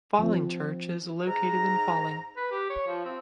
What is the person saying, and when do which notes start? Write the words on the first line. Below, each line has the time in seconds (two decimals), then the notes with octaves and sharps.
Falling Church is located in Falling.
0.19 F3 C4
1.27 G#2 A#5
2.37 B4
2.51 G4
2.70 C#5
2.87 F3
3.05 C4